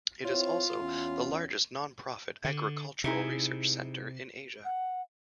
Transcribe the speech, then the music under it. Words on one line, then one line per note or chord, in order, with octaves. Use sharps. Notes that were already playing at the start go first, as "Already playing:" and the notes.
It is also the largest non-profit agricultural research center in Asia.
C4 E4 F4 C#5
E2 C#4
D3
C3 D#4 E4 G#4
F#5